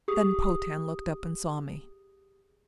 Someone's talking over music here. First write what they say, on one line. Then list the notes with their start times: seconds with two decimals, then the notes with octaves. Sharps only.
Then Potan looked up and saw me.
0.08 G4 G#4 D#6